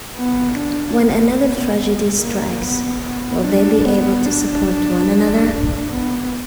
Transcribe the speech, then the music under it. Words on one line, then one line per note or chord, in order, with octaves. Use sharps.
When another tragedy strikes, will they be able to support one another?
B3
D4
B3
B3
A#3
B3
B3
D4
B3
D4
B3